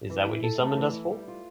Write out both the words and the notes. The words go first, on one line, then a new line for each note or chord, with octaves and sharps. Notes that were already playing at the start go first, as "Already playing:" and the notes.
Is that what you summoned us for?
E3
E4
A4
A3
E3
E4
G3
F4